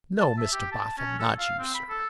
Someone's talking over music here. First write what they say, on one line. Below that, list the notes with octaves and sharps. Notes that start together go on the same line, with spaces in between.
'No, Mr Boffin, not you sir.
A5
E5
G4
A5
C#4
A4
F5
C4
B5
A4